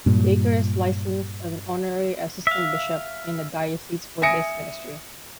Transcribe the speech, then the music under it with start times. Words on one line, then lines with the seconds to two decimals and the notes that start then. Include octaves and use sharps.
Baker is licensed as an honorary assistant bishop in the diocese for this ministry.
0.06 G2 A#2
2.47 E5 F5
4.22 E5 G#5 D#6 A#6 C#7 D7